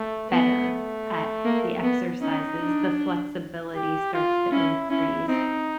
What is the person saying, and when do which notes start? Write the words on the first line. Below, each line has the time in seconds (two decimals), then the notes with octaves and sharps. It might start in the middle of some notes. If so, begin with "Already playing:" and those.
better at the exercises, the flexibility starts to increase,
Already playing: A3
0.30 A3 B3
1.45 A#3
1.83 B3
2.22 C#4 D#4
2.60 D4
3.75 G4
4.14 F4
4.52 C#4 E4
4.90 C#4 E4
5.29 C4 D#4